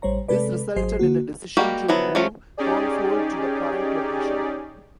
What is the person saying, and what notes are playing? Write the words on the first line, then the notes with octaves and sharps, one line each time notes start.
This resulted in a decision to move Kongsvold to the current location.
A1 G3 C5 C#5 A#5
C3 G#3 A4 B4 D5
G#1 F#3 G#4 C5 D#5 C7
D3 A#3 F#4
G3 G#3 A#3 F#4 G4
F3 F#3 B3 E4
F3 F#3 A3 C#4
C#4 D#4 G4 G#4 D5